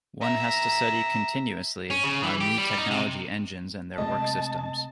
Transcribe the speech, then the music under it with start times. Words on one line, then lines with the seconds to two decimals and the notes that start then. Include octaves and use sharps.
One has to study continuously on new technology engines and their work systems.
0.21 E5 A#5
1.90 C#4
2.03 C#3
2.23 E3
2.41 G4
2.58 G3
2.78 D#4
2.91 C3
3.98 C3 G#3 A3 D#5 A5